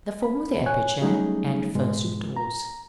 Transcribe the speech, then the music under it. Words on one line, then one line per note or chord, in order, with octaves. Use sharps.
The form of the aperture: and first of doors.
B5
C#5 G#5 F#6
F#3 G3 A3 C#4 D#4 G#4
G#2 B2 G#3
A#5